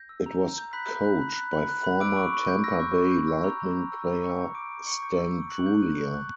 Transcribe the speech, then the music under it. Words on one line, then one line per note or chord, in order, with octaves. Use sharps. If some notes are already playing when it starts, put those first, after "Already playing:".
It was coached by former Tampa Bay Lightning player Stan Drulia.
Already playing: G6 A#6
E6
A#5
A#5
G6
B5 F#6 B6
B5
F#6
B5
F#6
B5
F#6
B5
D6 E6 D7
C#6
C#6
G6
E6 A#6
C#6
C#6
G6
E6
A#5
A#5
G6
E6
A#5
A#5 C#6 C#7
G6
D6 E6 D7
C#6
C#6 C#7
G6
E6
C#6
C#6 F#6 F#7
G6
F#6
C#6
F#6